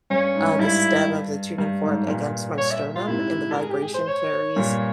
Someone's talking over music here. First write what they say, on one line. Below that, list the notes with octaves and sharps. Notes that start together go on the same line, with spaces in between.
uh, the stem of the tuning fork against my sternum and the vibration carries,
G2 C#4
G#2
G2 E4
G2
G#2
G2 A#2
C#5
E5
F4
G#2 C3 E4
A#4
G#4
G4
G#4
C5
C#5
G2 A#2